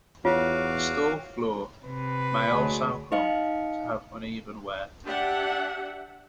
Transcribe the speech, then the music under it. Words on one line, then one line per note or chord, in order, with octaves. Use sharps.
The stall floor may also come to have uneven wear.
E2 F4 F#4 C#5 F5 D6
C3 B4
D2 D3 F#3 G#3
D#4 D#5 F5 C#7
D4 G4 E5 F#5